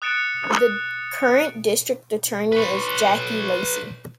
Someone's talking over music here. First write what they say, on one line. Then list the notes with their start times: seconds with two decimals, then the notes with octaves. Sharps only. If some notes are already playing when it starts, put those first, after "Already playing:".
The current district attorney is Jackie Lacey.
0.02 D#6 F#6 A6 C#7 D7 E7
2.52 B4 C#5